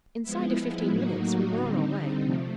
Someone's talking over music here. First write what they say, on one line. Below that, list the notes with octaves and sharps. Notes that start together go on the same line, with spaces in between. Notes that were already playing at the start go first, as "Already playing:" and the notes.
Inside of fifteen minutes we were on our way.
F3 G#3 B3 E4
A2 F#3 A#3 D#4 F#4
D3 G3 C4 D#4
C3 F3 A3